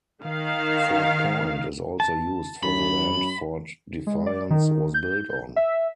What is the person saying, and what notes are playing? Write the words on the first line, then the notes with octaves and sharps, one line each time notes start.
Fort Point is also used for the land Fort Defiance was built on.
D#3 F5
A5
F#2 B5
G#3
D5
D#3
G6
E5